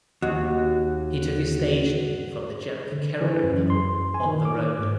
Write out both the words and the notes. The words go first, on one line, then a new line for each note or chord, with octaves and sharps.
He took his stage name from the Jack Kerouac novel "On the Road".
D#2 F#4
D3
E3
F#2
C6
G#5
D#3
D6
G#2